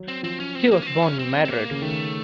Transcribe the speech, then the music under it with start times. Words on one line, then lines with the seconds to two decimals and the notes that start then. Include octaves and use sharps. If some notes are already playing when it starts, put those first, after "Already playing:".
He was born in Madrid.
Already playing: F#3
0.08 C4
0.23 F3 C4
0.40 C#4
0.55 C4
0.71 A#3
0.82 C#4
0.87 C4
1.03 C#4
1.19 C4
1.45 C4
1.50 A#3
1.71 C#3
1.82 D#3 A3